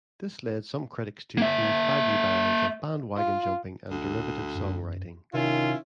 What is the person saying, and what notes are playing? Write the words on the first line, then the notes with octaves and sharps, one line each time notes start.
This led some critics to accuse baggy bands of bandwagon-jumping and derivative songwriting.
A#3 E5
F4
D2
F#2
C3 D#3 C#4 E4 F4